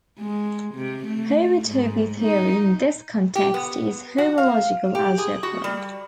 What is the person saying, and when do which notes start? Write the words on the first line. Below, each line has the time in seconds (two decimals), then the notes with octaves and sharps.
Homotopy theory in this context is homological algebra.
0.19 G#3
0.75 C3
1.05 A3
1.67 G#2
2.21 D#4
3.35 G4
3.54 B3
4.18 F#4
4.38 F5
4.95 G4
5.18 G#4
5.43 F#4
5.64 G3